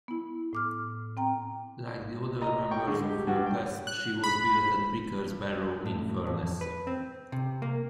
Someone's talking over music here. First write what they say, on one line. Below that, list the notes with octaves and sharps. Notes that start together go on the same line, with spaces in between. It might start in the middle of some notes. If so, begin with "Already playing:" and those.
Like the other members of her class, she was built at Vickers Barrow-in-Furness.
B3 E4
A2 D6 F6
C4 G5 A#5
D#5 A#5
G5 C#6
D3 G#3
G4
G2 F#4
G5
F#6
B5
A2
F2
B4
C4
C3
A#3